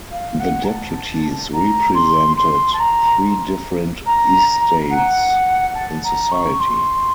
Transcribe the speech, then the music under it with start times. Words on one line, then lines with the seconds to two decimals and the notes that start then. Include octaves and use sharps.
The deputies represented three different "estates" in society.
0.11 F5
0.39 F#5
0.63 A#5
0.67 A5
1.52 A#5
1.94 C6
2.37 C6
2.72 A5
2.79 A#5
4.05 A#5
4.90 F#5
5.74 A5
6.03 A#5
6.31 C#6
6.59 C6